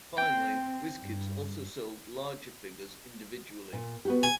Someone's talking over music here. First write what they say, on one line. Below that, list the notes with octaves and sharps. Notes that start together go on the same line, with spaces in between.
Finally, Wiz Kids also sold larger figures individually.
C4 G5
G2
A#2
B3 F#4 G4
G#5